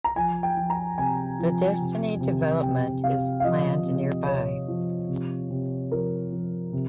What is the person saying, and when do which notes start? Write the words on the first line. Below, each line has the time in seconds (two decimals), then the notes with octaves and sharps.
The Destiny development is planned nearby.
0.04 A#5
0.16 F3 G#5
0.43 G5
0.57 F3
0.70 A#5
0.98 C3 G#5
1.40 F3
1.81 C3
2.21 C3
2.63 C3 G5
3.03 C3 F5
3.40 F5
3.44 F3 D#5
3.85 C3
4.26 C3 C#5
4.68 F3
5.09 C3
5.50 C3
5.91 F3 A#4
6.32 F3
6.73 C3